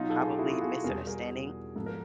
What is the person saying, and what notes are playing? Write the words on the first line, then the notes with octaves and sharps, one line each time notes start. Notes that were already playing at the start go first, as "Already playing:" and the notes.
probably misunderstanding
Already playing: B2 F#3 D#4 F4
A4
G#4
G4
E4 F#4
F4 G4
F#4 G#4
E2 B2 G3 G#4 A#4
G#4 A#4
G#2 F3 A4
A#4